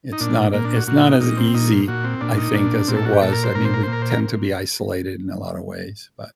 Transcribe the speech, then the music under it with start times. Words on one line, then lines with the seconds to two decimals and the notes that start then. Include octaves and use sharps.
It's not a it's not as easy, I think, as it was. I mean, we tend to be isolated in a lot of ways, but
0.12 D#4
0.21 A#2 D4
0.53 A#2 A#3
0.65 D4
0.76 F#4
0.87 A#2 F#4
1.04 D#4
1.21 A#2 D#4
1.37 C4
1.54 A#2 D#4
1.88 A#2 F#4
2.04 C4
2.21 A#2 D4
2.38 D#4
2.54 A#2 D4
2.88 A#2 C4
2.97 A4
3.05 F#4
3.13 G4
3.22 A#2 A4
3.32 A#4
3.44 C5
3.55 A#2 A#4
3.65 C5
3.74 A#4
3.83 C5
3.88 A#2 A#4
4.02 C5
4.10 A#4